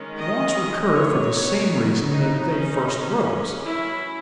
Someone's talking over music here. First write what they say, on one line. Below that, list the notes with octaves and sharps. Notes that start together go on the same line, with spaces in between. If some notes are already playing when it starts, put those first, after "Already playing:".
Wants recur for the same reason that they first arose.
Already playing: D#3 G#3 C#4
D#5
D#3 F#3 B3 C#5
D#4
F#3 C#4
E4